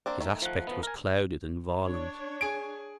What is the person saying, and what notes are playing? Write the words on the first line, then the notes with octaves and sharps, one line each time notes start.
His aspect was clouded and violent.
A#3 C4 D4
D#3 A3
F3 F#5
F3 B3
A#4 G#5
D4 C#5
G#4 G#5 D7